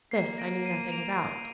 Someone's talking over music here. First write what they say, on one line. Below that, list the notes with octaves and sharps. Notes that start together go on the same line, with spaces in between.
This I knew nothing about.
A#3 C7
A#6 D7
C7 D#7
D7 F7